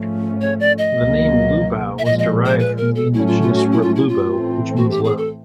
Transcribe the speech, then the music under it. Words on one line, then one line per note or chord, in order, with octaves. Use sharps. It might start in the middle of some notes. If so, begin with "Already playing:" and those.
The name Lubao was derived from the indigenous word "lubo" which means low.
Already playing: G#2 F3 A3 C#4
C#5
D5
D#5
C#2 B2 F#3 A#3
E5
A#2 F3 G#3 D#5
D#5
C5
B4
A#4
A4
A2 F#3 A3 C#4 E4
F4
F4
F#4
E4
F4
E4
F4
A2 E3 A3 C4
F#4
G4
G#4
A4